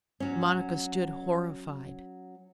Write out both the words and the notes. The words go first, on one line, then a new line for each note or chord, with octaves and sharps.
Monica stood horrified.
F#3 C#4